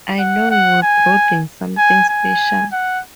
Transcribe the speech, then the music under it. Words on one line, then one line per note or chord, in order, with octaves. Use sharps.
I know you were brooding something special.
F#5
F#5
G#5
G#5
G#5
F#5